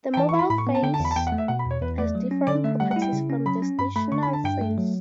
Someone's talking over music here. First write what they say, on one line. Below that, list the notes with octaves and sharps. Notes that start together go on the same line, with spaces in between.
The mobile phase has different properties from the stationary phase.
G5
E3 A5
C#6
E4
B5
A2 B5
C#6
B3
A5
D3 G5
A5
E2 B5
A5
E2 G5
F#5
A3
E5
B2 F#5
B5
E2
C#5
E2 B4
A3 D5
F#3
C#4
D3 D5
A3 E5
G3 F#5
F#5
E4
G5
C#3
C#4
F#3 B5
C#4
G2 B5
A3 B5
D3 C#6
B5
D4
A5
G2 G5
A3
F#3